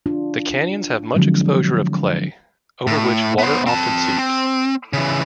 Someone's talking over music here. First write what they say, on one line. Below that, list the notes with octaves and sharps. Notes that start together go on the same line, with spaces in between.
The canyons have much exposure of clay, over which water often seeps.
D4 F4
D3 F3 F#3 G#3 C4
A2
B3 C5
C4 A5
C4
C#3 E3